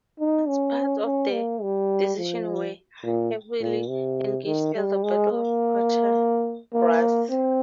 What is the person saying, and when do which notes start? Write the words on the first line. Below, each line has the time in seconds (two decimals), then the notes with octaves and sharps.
Parts of the division were heavily engaged at the Battle of Quatre Bras.
0.20 D#4
0.48 C#4
1.05 C#4
1.33 A#3
1.62 G3
2.18 F3
3.04 A#2
3.61 A#2
3.89 C3
4.45 D#3
4.75 G3
5.03 G#3
5.31 A#3
6.74 A#3
7.30 C4